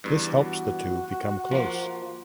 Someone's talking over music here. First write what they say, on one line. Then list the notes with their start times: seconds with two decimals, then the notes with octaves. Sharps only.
This helps the two become close.
0.04 E2 G2
0.39 F#4
1.51 F3 A#3